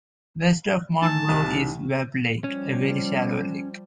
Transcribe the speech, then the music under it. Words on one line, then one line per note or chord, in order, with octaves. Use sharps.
West of Mount Blue is Webb Lake, a very shallow lake.
A2 E3 D#4 G#5 A5
C2 C3
F3 G3 C#4